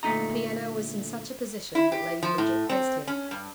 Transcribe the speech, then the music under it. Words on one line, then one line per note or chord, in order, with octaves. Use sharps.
The piano was in such a position that Lady Bridget faced him.
D2 A#2 A3 D#4 D#5 A#5
E4
G4
F3
A2
C4
C#4
G2